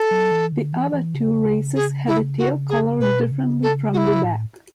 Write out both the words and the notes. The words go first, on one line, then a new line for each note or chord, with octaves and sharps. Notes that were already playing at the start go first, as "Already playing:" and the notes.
The other two races have the tail coloured differently from the back.
Already playing: A4
F#3
E3
D3
E3
E3
C#3
G#4
E4
F#4
G#4
B2 B4
C#3
A4
F#4
E4
A2